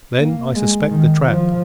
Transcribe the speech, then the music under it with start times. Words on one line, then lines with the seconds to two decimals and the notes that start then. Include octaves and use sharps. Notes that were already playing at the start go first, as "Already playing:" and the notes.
Then I suspect the trap.
0.19 A#3
0.54 G#3
0.90 D#3
1.25 F3